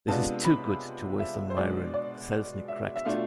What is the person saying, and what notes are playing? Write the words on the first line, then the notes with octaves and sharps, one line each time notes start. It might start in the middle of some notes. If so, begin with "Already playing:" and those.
"This is too good to waste on Myron," Selznick cracked.
C3 G#3 B3 D4 F4 A5
B5
E5
C5
B2 G#3 B3 D4 D5
D5
E5
E5
B2 A3 D4 F4 F5